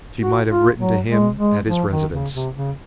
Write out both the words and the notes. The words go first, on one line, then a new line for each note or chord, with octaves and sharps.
She might have written to him at his residence.
F#4
F4
F#3
G#3
G#3
F3
D#3
C#3
C3
C#3